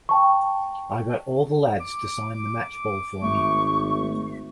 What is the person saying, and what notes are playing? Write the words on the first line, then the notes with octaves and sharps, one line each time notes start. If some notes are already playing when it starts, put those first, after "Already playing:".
I got all the lads to sign the match ball for me.
G5 A5 C#6
D6
G#1 A3 C#6